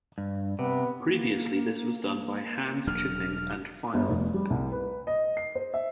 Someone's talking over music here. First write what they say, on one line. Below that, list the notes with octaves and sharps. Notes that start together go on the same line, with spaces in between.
Previously this was done by hand chipping and filing.
G2
C3 B3
A#3
E1 F#3 D4 F6
G1
F1
G3
C2
B4
D#5
C7
C5
E5